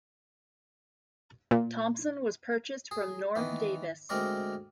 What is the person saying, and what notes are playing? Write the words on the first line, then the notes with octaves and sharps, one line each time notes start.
Thompson, was purchased from Norm Davis.
A#2
G#4
D#3 E3 B3
D2 G#3 C4 A#4 D5 C#6